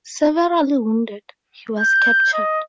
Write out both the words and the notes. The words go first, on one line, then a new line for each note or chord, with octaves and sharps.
Severely wounded, he was captured.
G6
D#5